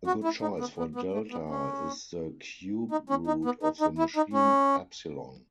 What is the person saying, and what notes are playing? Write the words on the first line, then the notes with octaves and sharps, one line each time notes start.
A good choice for delta is the cube root of the machine epsilon.
F#4
E4
D#4
B3
B3
B3
A3
B3
C#4
D#4
C#4
D#4
B3
D#4
D#4
E4
D#4
C#4